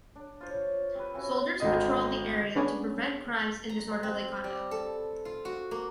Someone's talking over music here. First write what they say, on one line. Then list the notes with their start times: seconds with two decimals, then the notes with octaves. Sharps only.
Soldiers patrolled the area to prevent crimes and disorderly conduct.
0.16 D4
0.41 F4 C5 C#5
0.95 C4 G4 B4
1.14 C4 C#4 E4 F#4
1.60 G#1 D3 D#5
2.55 D3 B3 C#4 D4 G#4 C#5
3.69 A#5
4.03 C4
4.44 G3
4.71 A4
5.25 F4
5.45 F#4
5.71 A#3